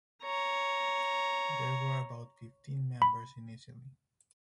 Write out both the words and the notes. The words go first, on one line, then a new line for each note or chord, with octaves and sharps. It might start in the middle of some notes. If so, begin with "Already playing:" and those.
There were about fifteen members initially.
C#5 A#5
B5